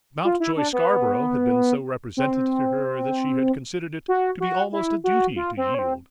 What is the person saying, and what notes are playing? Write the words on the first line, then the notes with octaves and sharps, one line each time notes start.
Mountjoy Scarborough had been so represented to her that she had considered it to be almost a duty to yield.
F4
E4
D4
B3
C4
F#4
F#4
E4
F#4
F4
C4
C#4
C4